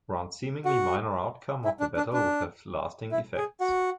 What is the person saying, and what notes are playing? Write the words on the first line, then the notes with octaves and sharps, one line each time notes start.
One seemingly minor outcome of the battle would have lasting effects.
F#4
E4
D4
D4
D4
E4
G#4
F#4